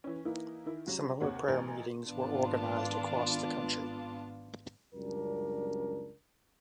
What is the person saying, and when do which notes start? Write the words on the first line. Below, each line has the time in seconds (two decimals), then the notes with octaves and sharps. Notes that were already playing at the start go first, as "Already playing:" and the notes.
Similar prayer meetings were organized across the country.
0.04 E3 C#4
0.25 E3 A#3 D#4 E4
0.66 D#3 E4
0.86 C#3 F#3 G3
1.20 D#2 C3 A#4 C#5 F#5
1.48 A1 A#4 G#5
2.07 G#1 B3 D4 F4 A5
4.95 C#2 F#2 G3 D4 A#4